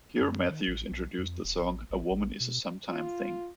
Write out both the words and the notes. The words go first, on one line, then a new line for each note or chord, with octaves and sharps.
Here, Matthews introduced the song "A Woman Is a Sometime Thing".
F#2
D#3
A1
B1
F2
D#1
A1
A1
A1
B2
F4